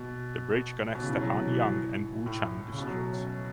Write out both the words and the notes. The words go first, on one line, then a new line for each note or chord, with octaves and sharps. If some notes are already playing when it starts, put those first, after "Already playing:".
The bridge connects the Hanyang and Wuchang districts.
Already playing: B2
B2
C#3
E3
F#3
E3
A2
C#3
B2
F#3
A3
C#4